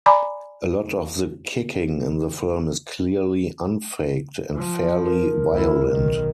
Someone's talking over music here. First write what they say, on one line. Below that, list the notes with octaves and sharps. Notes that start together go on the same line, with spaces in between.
A lot of the kicking in the film is clearly unfaked and fairly violent.
D5 G#5 A#5 B5 D6
F3
A#4
D2 E4
B1 D#3